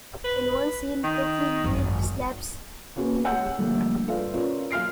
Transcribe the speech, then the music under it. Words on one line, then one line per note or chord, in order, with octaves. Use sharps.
In one scene, Betty Lee slaps Glenn.
B4
D#3
G#1 F#2
A#3 C#4 F#4 G#4 B4
C#5 F#5 E6 G6
D3 F3 G3 A3 A#3
F4 A4 B4 D5 F5
C#4 F4 A#4 B4 C#5 D5
F#3 F5 F6 C7 D7